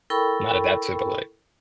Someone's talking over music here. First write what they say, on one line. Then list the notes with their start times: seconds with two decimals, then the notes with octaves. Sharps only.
Not adapt to, but like
0.10 E4 A4 A#4 G5 B5 C#6